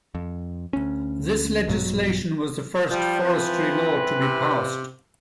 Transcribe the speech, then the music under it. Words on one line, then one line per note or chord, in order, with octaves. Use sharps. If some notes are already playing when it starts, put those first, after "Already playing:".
This legislation was the first forestry law to be passed.
F2
D2 C#4
A#1 G2 B2 F#3
F3 G3
E3 C4 B4
C3